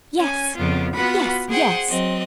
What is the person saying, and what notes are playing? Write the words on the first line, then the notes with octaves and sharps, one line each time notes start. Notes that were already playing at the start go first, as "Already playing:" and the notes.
Yes, yes, yes!
C#4 G#5
F2 C#3 B3 F4
B3 F4 F#4 B4 F#5 B5
G#4 C5 F#5 G5
F#3 C4 D#5